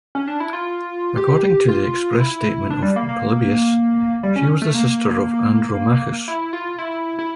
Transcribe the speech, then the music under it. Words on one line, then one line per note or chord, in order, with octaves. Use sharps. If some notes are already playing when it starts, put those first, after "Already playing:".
According to the express statement of Polybius, she was the sister of Andromachus.
C#4
D4
E4
F4
G4
F4
E4
D4
G3
A#3
A#3
G3
C#4
A3
A#3
E4
F4
E4
E4